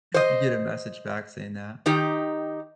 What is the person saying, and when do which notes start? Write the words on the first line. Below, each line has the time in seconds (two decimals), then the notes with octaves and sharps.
you get a message back saying that.
0.14 C5 D#5
1.86 D#3 D#4 G4